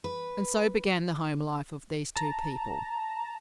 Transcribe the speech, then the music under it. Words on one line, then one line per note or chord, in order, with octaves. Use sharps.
And so began the home life of these two people.
B4
A5 A#5